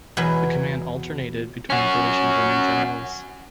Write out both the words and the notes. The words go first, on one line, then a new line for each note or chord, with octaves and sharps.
The command alternated between British and German generals.
E2 B2 F#3 B4 G#5
C#4 F#4